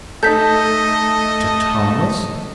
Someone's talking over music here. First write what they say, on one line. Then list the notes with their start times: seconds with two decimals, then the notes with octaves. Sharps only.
To Thomas!
0.23 A3 D#4 A4 D#5 G6 B6